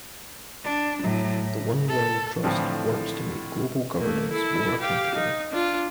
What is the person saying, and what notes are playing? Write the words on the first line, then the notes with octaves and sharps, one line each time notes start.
The One World Trust works to make global governance more accountable.
D4
A2 F#3
A2
A4
A2 D3 E3 F3 C4 D4
A3 A#3
E4 A4
G4 F5
D#4
D4 F4